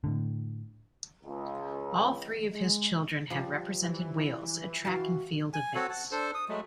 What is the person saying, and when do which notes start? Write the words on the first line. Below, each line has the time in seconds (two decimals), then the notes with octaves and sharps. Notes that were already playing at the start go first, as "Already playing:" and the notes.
All three of his children have represented Wales at Track and Field events.
0.04 A2 D3
1.23 C#2
2.52 G#3
3.30 F3 G3
3.82 E3
4.85 F#4 F5 G5 A5
5.53 G#5
5.75 C4 F#4 A4 C#5
5.90 F#5 A5
6.11 D4 A4 C5
6.34 D#6
6.49 F#3 G#3 A3